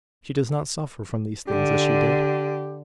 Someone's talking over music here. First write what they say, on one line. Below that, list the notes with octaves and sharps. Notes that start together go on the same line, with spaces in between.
She does not suffer from these things as she did.
D3 G4